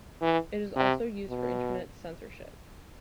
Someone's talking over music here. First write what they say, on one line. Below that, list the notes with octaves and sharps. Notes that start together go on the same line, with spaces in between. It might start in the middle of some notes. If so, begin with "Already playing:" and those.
It is also used for Internet censorship.
E3
C3
B2